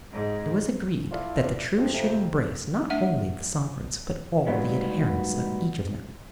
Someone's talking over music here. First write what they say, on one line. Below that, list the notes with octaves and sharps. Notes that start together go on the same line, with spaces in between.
It was agreed that the truce should embrace not only the sovereigns, but all the adherents of each of them.
G#2
A3 E4 F4 D5 F5
F2
F2 C3
A3 D4 E5 F#5
G#2 D#3 F#3 G3 A#3 B3